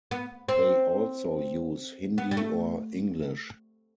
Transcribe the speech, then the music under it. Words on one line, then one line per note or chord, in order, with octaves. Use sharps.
They also use Hindi or English.
B3
C4
B3
G3
A3